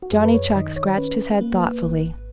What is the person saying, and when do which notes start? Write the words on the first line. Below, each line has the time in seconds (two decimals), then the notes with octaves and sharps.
Johnny Chuck scratched his head thoughtfully.
0.02 F#4
0.12 F#2 G#4
0.25 B4
0.34 C#5
0.55 D#3 D#5
0.76 C#5
0.97 C#4 B4
1.41 A#3
1.83 G#1